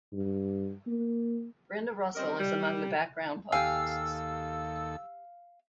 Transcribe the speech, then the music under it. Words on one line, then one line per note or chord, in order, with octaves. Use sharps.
Brenda Russell is among the background vocalists.
G2
A#3
G3 C4 C#4 A#4 D#5
G3
D#2 G4 A4 F5 G#5 E6